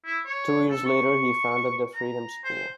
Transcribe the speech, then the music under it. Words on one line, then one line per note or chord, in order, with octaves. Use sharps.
Two years later he founded the Freedom School.
E4
C#5
A4
C#6
A#5
C5